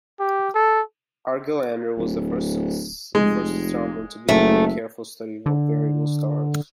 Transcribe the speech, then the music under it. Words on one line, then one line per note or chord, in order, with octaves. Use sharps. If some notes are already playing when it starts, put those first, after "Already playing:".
Argelander was the first astronomer to begin a careful study of variable stars.
G4
A4
D1
F1 G#3
F#1 A3
D3